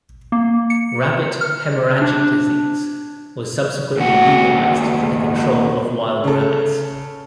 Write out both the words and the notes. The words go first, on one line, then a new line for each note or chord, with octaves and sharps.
Rabbit hemorrhagic disease was subsequently legalised for the control of wild rabbits.
A#3
C#7
F6
D4
D#2 F#4
C#3 A4